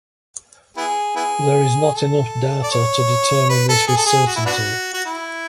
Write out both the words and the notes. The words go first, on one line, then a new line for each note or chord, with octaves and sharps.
There is not enough data to determine this with certainty.
B3 E4 G#4
B3 E4 G#4
A4
D5
C#5
B4
A4
G#4
A4
G#4
F#4
E4
B3 D4 F#4
F#4
E4